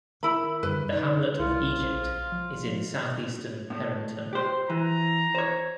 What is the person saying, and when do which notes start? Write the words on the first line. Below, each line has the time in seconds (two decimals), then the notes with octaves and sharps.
The hamlet of Egypt is in southeastern Perinton.
0.23 D#3 E4 A#4 B5
0.63 F#2 D3 G3 B4
0.91 D#4 D5
1.39 C2 E4 F4
1.79 A#1 C5
2.32 F3
3.70 A2
4.33 G4 C5
4.70 E3 A#5
5.35 C5 C#5